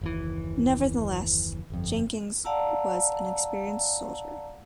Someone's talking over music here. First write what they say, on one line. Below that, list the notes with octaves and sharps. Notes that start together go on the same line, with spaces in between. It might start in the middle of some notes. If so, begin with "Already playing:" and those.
Nevertheless, Jenkins was an experienced soldier.
F#1 D#2 E3
G1 F2
D5 F5 F#5 A5 A#5 E6